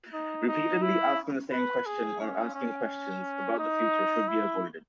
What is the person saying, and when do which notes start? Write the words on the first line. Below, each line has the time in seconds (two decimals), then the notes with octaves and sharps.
Repeatedly asking the same question or asking questions about the future should be avoided.
0.13 D#4
0.48 D#4
0.82 E4
1.52 B4
1.86 G#4
2.21 C#4
2.55 C#4
3.59 D#4
4.28 E4